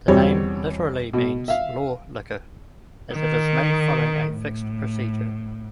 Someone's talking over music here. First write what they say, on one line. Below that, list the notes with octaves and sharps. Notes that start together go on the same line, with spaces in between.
The name literally means "law liquor", as it is made following a fixed procedure.
E2 B2 G3 C4 G4 C#5
B2
E5 F5
D#3
A2